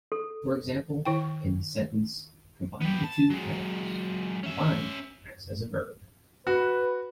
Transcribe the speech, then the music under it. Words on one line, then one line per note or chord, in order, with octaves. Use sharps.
For example, in the sentence "Combine the two chemicals," "combine" acts as a verb.
A4
D#3 E4 G5
B3 G4
A5
F#3 G#3
C#4 E5
F#4 B4